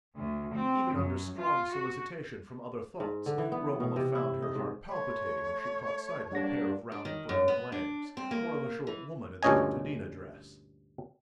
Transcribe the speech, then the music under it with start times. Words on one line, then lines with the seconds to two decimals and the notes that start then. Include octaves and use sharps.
Even under strong solicitation from other thoughts Romola found her heart palpitating if she caught sight of a pair of round brown legs, or of a short woman in the contadina dress.
0.16 D2
0.55 C4
0.94 F#2
1.37 F4
1.74 F#4
3.00 G#2
3.26 D3
3.38 E3
3.52 B3
3.80 B2
3.96 C3
4.15 E4
4.42 D#4
4.55 G#2
4.89 A3 C#5 B5 C6
6.32 G3 A#3 D4 F#5 A#6
6.92 D4
7.05 D#3
7.29 F#2
7.48 B3
7.72 D4
8.17 C4
8.31 A#3
8.87 E3
9.43 D2 G2 A#2 C#4 D#5 G#5